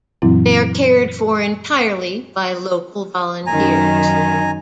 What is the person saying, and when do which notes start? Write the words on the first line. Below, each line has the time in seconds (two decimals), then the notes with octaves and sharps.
They are cared for entirely by local volunteers.
0.22 F#2 A#2 E3 F#3 C4 E4
3.47 F#2 D#3 G#5 A#5